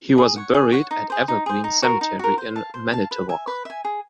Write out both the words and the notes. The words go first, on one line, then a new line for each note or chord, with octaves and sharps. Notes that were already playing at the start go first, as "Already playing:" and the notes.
He was buried at Evergreen Cemetery in Manitowoc.
G#4
C#5 F#5
G#4
C#5 F#5
D#4
G#4 C5
D#4
G#4 C5
D#4
F#4 A#4
D#4
F#4 A#4
C5
F5 A5
C5
F5 A5
B4
E5 G#5
B4
E5 G#5
G#4